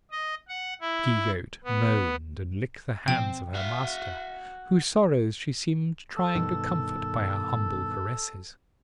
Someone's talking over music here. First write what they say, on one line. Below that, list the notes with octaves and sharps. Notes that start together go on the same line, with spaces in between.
The she-goat moaned and licked the hands of her master, whose sorrows she seemed trying to comfort by her humble caresses.
D#5
F#5
E4
B3
B2 F3 C4 G5
F#4 E5 F5
A4
G2 B2 D#3